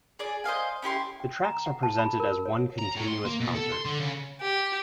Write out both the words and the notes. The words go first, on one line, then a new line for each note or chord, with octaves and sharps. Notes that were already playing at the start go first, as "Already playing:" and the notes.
The tracks are presented as one continuous concert.
G#4 D5
C5 D#5 F5 G#5
C#4 E4 G4 C6
G5
A#5
F#5
A5
B5
A#4
C#5
A#5
A2
C6
A#3
B2
A4
C6
D3
C#3
G4